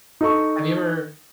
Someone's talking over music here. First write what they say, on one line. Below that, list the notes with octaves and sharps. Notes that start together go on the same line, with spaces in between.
Have you ever
D#4 A4 C#6